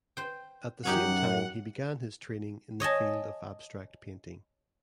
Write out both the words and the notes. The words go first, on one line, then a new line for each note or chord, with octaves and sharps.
At the same time he began his training in the field of abstract painting.
C5 G5
F#2 C#4 D#4 G4 F#5
C#5 D#5 G#5 A5